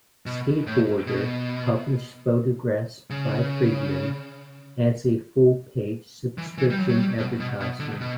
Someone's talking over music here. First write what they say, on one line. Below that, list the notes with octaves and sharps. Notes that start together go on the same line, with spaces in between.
"SkateBoarder" published photographs by Friedman as a full-page subscription advertisement.
B2
A2
B2
C#3
E3
E3
G3
F#3
F#3
G3
B2
B2
B2
D3
B2